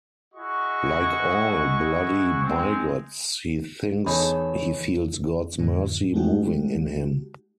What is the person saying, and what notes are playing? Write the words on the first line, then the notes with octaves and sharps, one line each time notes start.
Like all bloody bigots, he thinks he feels God's mercy moving in him.
E4 F#4 G#4 D#5 C#6
G#3 C4
E2 D#4 G#4 A4 C#5 B5
F2 A2 D3
G#3 A3 D#4 F#4 G4